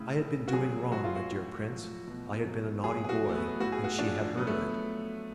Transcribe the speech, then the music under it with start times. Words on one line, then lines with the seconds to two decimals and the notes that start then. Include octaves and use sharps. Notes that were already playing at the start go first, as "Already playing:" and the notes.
I had been doing wrong, my dear Prince--I had been a naughty boy, and she had heard of it.
Already playing: A2 C#3
0.15 A2
0.48 F#4
0.53 F#3 G#4
0.92 F#3 F#4
1.04 F4
1.16 F#4
1.30 A2
1.69 F3
2.07 B2
2.46 F#3
2.84 F#3 G#4
3.04 G#4
3.09 F#4
3.22 F#3
3.29 A3
3.35 B3
3.60 A2 F#4
3.72 G#4
3.84 F#4
3.98 F3 D4
4.37 F#3 B3
4.47 A3